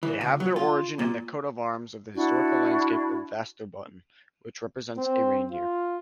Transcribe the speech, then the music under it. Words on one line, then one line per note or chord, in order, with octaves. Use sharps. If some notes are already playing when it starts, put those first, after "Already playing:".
They have their origin in the coat of arms of the historical landscape of Västerbotten, which represents a reindeer.
E3
C#2
F#3
F4
A#2
D4 E4 F#4
C4
F4